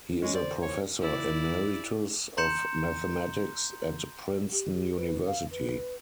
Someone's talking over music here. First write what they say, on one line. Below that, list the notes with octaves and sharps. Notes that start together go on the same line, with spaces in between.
He is a professor emeritus of Mathematics at Princeton University.
G#3 C#4
C5 D5
C#5
E4 D5
A#5 C6 G6 C#7 E7
G4
G4
B4
F5
B4